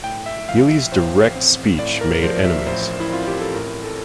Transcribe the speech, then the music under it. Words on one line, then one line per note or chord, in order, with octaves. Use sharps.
Healey's direct speech made enemies.
A2 G5
E5
F3 F5
E5
A1 C5
C4
A2 D5
A#4
F3 C5
E5
A1 C5
E4
C4 F4
G4
A4
A2 A#4
A4